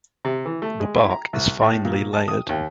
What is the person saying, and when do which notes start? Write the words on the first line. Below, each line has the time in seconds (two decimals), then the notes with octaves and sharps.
The bark is finely layered.
0.25 C3
0.46 E3
0.62 A3
0.80 G#3
0.96 E4
1.10 A#5
1.33 C2
1.61 A2
1.85 A#2
2.13 A5
2.28 D#6
2.49 D#2